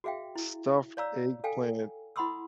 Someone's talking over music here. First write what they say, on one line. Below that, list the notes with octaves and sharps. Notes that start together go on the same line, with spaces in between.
Stuffed eggplant
F#4 G#4 E5 F5 G5
E4
C#5 D5 F5 A#5 E6
A4 F5 G5 G#5
E4 F#5 B5 C6 D#6 E6